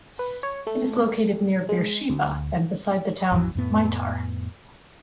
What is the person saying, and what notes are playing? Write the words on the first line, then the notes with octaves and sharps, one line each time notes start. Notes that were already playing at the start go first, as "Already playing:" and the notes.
It is located near Beersheba and beside the town Meitar.
B4
C#5
A3
G#3
D2
A1 F2 E3 F#3
F2 A2 B3